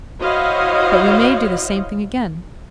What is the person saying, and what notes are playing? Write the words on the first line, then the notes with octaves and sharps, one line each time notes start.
But we may do the same thing again.
E4 F#4 C5 C#5 D#5 F5